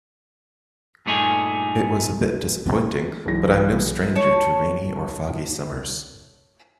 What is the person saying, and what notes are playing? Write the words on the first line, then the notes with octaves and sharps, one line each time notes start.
It was a bit disappointing, but I am no stranger to rainy or foggy summers.
G2 A#2 A3 D#4 G#4
B1 E3 G#3 A#6
C#5 A5